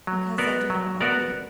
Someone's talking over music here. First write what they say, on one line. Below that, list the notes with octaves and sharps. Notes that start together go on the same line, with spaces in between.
"Because I do not love you."
F#3
B3 F#4 A#4 D5
F#3
B3 F#4 A#4 D5